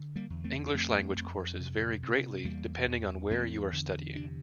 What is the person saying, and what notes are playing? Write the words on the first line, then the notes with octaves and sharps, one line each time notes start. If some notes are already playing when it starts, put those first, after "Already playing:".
English language courses vary greatly, depending on where you are studying.
Already playing: D3
G3 A#3
E2
A3 C4
D4
F2 A3 C4
F2
C3
C3
E2 G3 A#3
E2
E2 A3 C4
D3
C3 D4